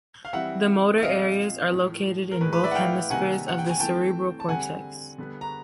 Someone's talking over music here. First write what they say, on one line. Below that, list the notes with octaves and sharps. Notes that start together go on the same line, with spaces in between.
The motor areas are located in both hemispheres of the cerebral cortex.
F5
E3 G3 C4 E5 F#5
E5
A#2 F3 G#3 C4 D#5 F5
A2 F3 A3
A#4
A2 E3 G#3 B4
B4
D5 E5
F#5
F5 G5
C3 D#3 G3 A#3 F#5 G#5
F#5
G5
G#5
E3 A3 C4 G5 A5
A5
D3 G3 C4 F#5 G#5
D3 G3 B3
A#5